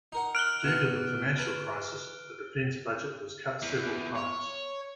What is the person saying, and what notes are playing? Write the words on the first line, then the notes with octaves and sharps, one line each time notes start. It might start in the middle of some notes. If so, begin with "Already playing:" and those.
Due to the financial crisis, the defence budget was cut several times.
D#4 A#4 F#5
F6 F#6 D7 G7
B2 E3 A5
B4 A5
E2
C#5